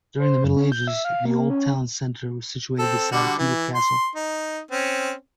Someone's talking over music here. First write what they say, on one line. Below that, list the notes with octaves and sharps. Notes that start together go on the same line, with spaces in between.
During the Middle Ages the old town centre was situated beside a feudal castle.
C5
F#2
C#4
G6
E5
F5
A#3
C#4
C4 A4
D3 G3 F#4
E3
C6
D#4
C4 C#4